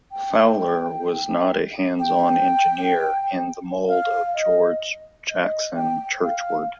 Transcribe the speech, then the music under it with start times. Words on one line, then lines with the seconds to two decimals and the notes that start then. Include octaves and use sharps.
Fowler was not a hands-on engineer in the mould of George Jackson Churchward.
0.11 G5
2.00 G5
3.88 F5
4.34 D#5
5.29 D#5
5.76 G5
6.23 F5